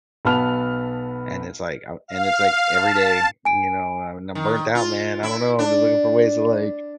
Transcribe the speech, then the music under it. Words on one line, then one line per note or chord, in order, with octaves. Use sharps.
and it's, like, I and it's, like, every day, you know, and, I'm burnt out man, I don't know, I'm just looking for ways to, like,
B1 B3 A5 B5 F6 F7
F5
A5
G#5 D7
D#3
F4
E4
D4